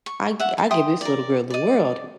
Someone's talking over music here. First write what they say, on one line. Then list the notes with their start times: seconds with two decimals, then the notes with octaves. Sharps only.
I I give this little girl the world,
0.06 C#6
0.40 E5 F#5
0.58 A5
0.71 E5 G5 C6 D#6
1.01 A#4 D5
1.50 D5 D#5